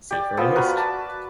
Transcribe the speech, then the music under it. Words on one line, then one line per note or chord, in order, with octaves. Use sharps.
See for a list.
G4 D5
F3 B3 E6
F#4 A#4 B4
A5 D6